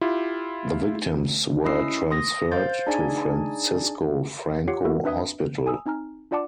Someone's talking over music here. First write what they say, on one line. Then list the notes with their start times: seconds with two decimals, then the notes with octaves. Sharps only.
The victims were transferred to Francisco Franco Hospital.
0.01 E4 F4 G4
1.64 C#4 E4 D#5 D#6 E6 C7
2.11 C6 D#6 A#6
2.51 C5 F5 C6 G6 A6
2.87 D4 D#4 G#4 D5 G#5
4.68 F4 G4 C#5 F#5 C7
4.84 A#3 B3 E4 F#4 A4 A#4
5.04 C4 D4 B4 E5 D#6 G#6
5.67 G#5 D#6 E6
5.86 C4 D#4 G#5 A#5 F6
6.31 D4 F4 D5 F#5 A5 D6